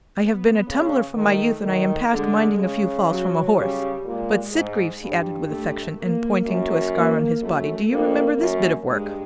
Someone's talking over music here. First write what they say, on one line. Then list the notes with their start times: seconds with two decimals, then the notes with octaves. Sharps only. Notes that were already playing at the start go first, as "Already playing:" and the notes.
"I have been a tumbler from my youth, and I am past minding a few falls from a horse; but, Sitgreaves," he added with affection, and pointing to a scar on his body, "do you remember this bit of work?"
0.18 B3
0.67 C#3
1.16 D#3 A3
1.64 D#3
2.12 D3 G#3
2.60 C#3
3.08 F#3
3.57 C#3 G3
4.05 A#2 G#3
4.53 G#2
5.01 G2
5.49 A3
5.98 A#3
6.45 F#2
6.93 A#3
7.42 F#2 A3
7.90 F2 A#3
8.38 F#2
8.86 G2 G#3